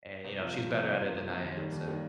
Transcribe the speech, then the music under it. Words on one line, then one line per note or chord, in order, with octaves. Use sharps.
and, you know, she's better at it than I am, so
C2
C3 F3 A#3 F4
C2
C3 F3 A#3 F4
C2
C3 F3 A#3 F4
C2
C3 F3 A#3 F4
D#2
D#3 G3 A#3
D#2
D#3 G3 A#3